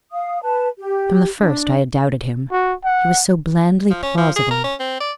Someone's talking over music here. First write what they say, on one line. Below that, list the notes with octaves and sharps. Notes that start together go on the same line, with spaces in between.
From the first I had doubted him; he was so blandly plausible.
F5 D#6
B4 A5
G4
D4
F#4
F#5
F3
C#4
F3
G#4
A#4
C#4
C4
D5